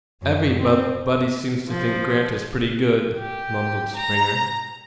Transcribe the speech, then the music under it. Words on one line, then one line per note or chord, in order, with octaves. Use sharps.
"Every-bub-body seems to think Grant is pretty good," mumbled Springer.
F#2
C4
F3
G4
A#5